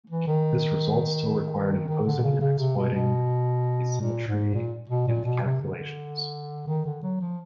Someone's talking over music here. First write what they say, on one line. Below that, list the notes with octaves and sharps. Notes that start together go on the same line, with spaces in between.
This result still required imposing and exploiting axisymmetry in the calculations.
E3
D#3
D#3
D3
C#3
C#3
C3
B2
B2
A#2
G#2
A#2
B2
A#2
B2
C3
D3
D#3
D3
F#3
F3